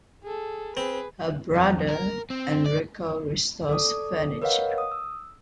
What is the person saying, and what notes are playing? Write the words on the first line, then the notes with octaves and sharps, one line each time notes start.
Her brother, Enrico, restores furniture.
G#4 A4
C4 G#4 B4
F2
A#4
C4
D5
A4 D5 D6 D#6
A#4 B4 C#5 D#5 F5 F#5
D#6
E6